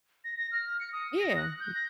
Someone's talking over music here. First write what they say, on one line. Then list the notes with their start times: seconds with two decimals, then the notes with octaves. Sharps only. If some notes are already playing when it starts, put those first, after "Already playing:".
Yeah, m
0.24 A#6
0.38 A#6
0.52 F6
0.80 C#7
0.93 D#6
1.20 A#6
1.37 F#6
1.60 G6
1.75 A#6